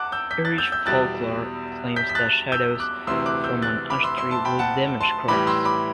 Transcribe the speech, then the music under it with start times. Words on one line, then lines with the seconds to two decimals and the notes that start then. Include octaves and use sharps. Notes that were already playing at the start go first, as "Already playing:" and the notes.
Irish folklore claims that shadows from an ash tree would damage crops.
Already playing: E2 F#5 A5 D6 F#6
0.12 E6 G6
0.31 G6 B6
0.45 F#6 A6
0.58 E6 G6
0.72 E6 G6
0.86 E2 B2 G3 F#6 A6
1.96 G6 B6
2.09 B6
2.15 F#6 A6
2.52 E6 G6
2.80 D6 F#6
3.07 D2 C3 E3 C6 E6
3.26 D6 F#6
3.44 E6 G6
3.62 F#6 A6
3.90 B5 D6
4.04 C6 E6
4.18 C6 E6
4.31 A5 C6
4.45 G5 B5
4.59 F#5 A5
5.01 A5 C6
5.28 A2 E3 G3 B5 D6
5.47 C6 E6
5.65 B5 D6